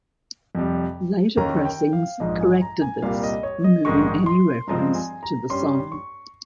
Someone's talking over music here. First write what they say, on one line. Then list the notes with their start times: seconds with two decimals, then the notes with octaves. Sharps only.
Later pressings corrected this, removing any reference to the song.
0.55 F2 C3 G3
1.37 D#2 D#3 A#3 C#4 A#5
1.65 G5
1.93 F5
2.20 A#1 G#2 F3 D#5
2.41 G#5
2.62 A#5
2.82 G#5
3.02 C2 A#2 G3 A#3 F5
3.24 D#5
3.43 C#5
3.64 D#5
3.85 A#1 G#2 D#3 G#3 C#6
4.26 C6
4.67 G2 F3 G#3 C4 A#5
4.95 G#5
5.23 A#5
5.50 G2 G3 C#4 C6
5.92 C#6